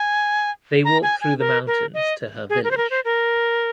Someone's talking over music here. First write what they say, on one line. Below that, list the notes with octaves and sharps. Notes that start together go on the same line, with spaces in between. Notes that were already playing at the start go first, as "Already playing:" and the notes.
They walk through the mountains to her village.
Already playing: G#5
A#5
G#5
G#5
A#4
A#4
D#5
G#4
A#4
C5
A#4
C5
A#4